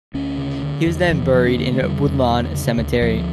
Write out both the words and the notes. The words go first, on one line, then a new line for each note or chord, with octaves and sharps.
He was then buried in Woodlawn Cemetery.
D2 C#4
C#3
D3
E2
E2 F3
E3
D3 F3
C#4
D3 A#3
A3
E2 G3
E2
D3
C#3
D2
D2 F3